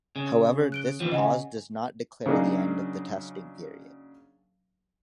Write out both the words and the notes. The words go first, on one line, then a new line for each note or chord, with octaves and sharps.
However, this pause does not declare the end of the testing period.
C#3
F#6 D7 G7
D#2 E3 F3
C#3 D#5 F#5 G#5
C#3 F#3 A#3 D4 D#4 G#4